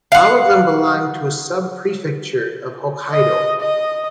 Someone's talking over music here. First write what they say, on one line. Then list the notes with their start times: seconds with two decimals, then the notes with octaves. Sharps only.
All of them belong to a subprefecture of Hokkaido.
0.12 F5 F#5
3.11 D#5
3.60 D#5